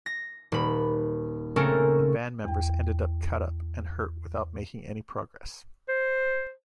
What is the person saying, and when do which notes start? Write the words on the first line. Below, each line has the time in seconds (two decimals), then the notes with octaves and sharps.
The band members ended up cut up and hurt without making any progress.
0.06 A#6
0.52 D#1 B5
1.56 C#3 A3 C4 C#4 A4 A#4
2.45 E2 G5
5.89 C5